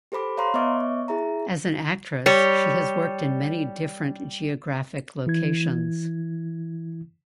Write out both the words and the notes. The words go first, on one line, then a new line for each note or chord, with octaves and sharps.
As an actress she has worked in many different geographic locations.
G4 A4 C5 B5 D6
C#5 F5 A#5 C6
B3 C#5 D#5 E5 C#6 D6
E4 G#4 E5 A#5
G3 C#5
E3 E4 G#6